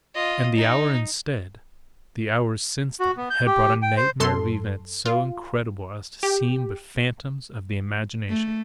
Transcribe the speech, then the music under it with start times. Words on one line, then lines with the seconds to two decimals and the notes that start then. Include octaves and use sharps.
And the hour instead, the hours since then, had brought a nightmare of events so incredible as to seem but phantoms of the imagination.
0.15 F4 D#5
0.56 D#4
3.00 F#4
3.17 B3
3.30 G6
3.46 G4
3.82 G5
3.97 C5
4.20 F#2 A4 C6
5.05 F4
6.23 G4
8.29 A3